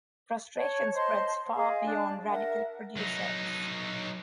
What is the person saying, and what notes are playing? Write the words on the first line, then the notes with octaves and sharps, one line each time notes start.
Frustration spreads far beyond radical producers.
C#5 A5
C5 D#5 A5 C6
G#4 D#5 F5
D4 A5
A#4 E5 F#5
F#3 D#4